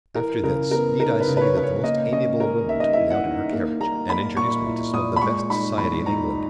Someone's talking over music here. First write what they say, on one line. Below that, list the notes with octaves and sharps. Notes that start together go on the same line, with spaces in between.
After this, need I say that the most amiable of women took me out in her carriage, and introduced me to some of the best society in England?
E3 A#4
C#3 A#4
B3 A#4
D#4 A#4
B4
C#3
B4
C#5
C#3 B4
C#5
A#3 D#5
C#4 D#5
C#4 A#4
D#3 E5
D#5
E4 E5
F#5
D#3
A#3
A#3 A#5
A#3 B5
A#2 C#6
E4
A#2 D#6
B5
G#3 C#6
D#4 B5
E2 B5
D#4 A#5
D#4